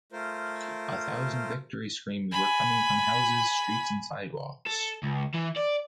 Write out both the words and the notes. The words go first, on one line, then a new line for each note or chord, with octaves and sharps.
A thousand victory screams were coming from houses, streets and sidewalks.
A3 F4 A#4 C5
G#5 B5
A4
C#2
E3
D5